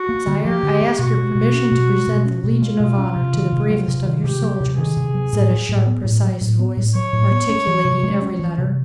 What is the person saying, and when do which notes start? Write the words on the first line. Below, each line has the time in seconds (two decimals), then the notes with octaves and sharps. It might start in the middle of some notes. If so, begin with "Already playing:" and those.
"Sire, I ask your permission to present the Legion of Honor to the bravest of your soldiers," said a sharp, precise voice, articulating every letter.
Already playing: F#4
0.09 A#3
0.27 D3
0.45 F3 G4
0.63 D3
0.81 A#3
0.99 B2 F#4
1.17 G#3
1.35 B2
1.53 C#4
1.71 B2
1.89 G#3
2.07 B2
2.25 C#4
2.43 B2
2.62 G#3 F4
2.80 B2
2.98 C#4
3.16 C3
3.34 D#3
3.52 C3
3.70 F#3
3.88 C3
4.06 D#3
4.24 C3 G4
4.42 F#3
4.60 C3
4.78 D#3 G#4
4.97 C3
5.14 F#3
5.33 A2
5.50 F#3
5.69 A2
5.87 B3
6.04 A2
6.23 F#3
6.41 A2
6.59 B3
6.77 A2
6.95 F#3 C#5
7.13 A2
7.31 B3
7.49 C#4
7.67 E3
7.85 C3
8.03 G#3
8.22 C#4
8.39 E3
8.58 C3